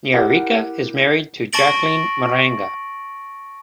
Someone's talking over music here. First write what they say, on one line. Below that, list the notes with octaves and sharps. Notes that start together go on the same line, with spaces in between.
Nyariki is married to Jackline Maranga.
E4 G4 A#4 F#5
A5 C#6 A6 A#6 D7 F#7